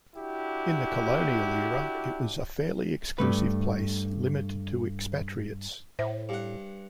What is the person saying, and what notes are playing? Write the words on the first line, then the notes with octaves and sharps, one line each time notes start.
In the colonial era it was a fairly exclusive place limited to expatriates.
D4 E4 F#4 G4
G2 A3 B4
A2 C5 E5
G2 F#5